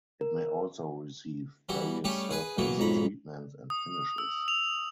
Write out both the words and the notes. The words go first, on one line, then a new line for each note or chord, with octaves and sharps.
It may also receive various surface treatments and finishes.
A#4
E3 G3 E4 F#4
G3 A3 C#4 G4 G#4 C#5
G#4 B4 G#5
B2 E3 F#3 A#3 B3
B1 F2 G#2 A#5 B5
D#6
E6
F7